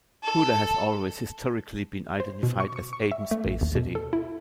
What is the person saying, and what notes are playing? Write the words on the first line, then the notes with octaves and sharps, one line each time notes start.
Houta has always historically been identified as Aden's base city.
A4
C5
B2
C#6
C#6
C#6
E5
A3
A1
D#2
B2
A4
E4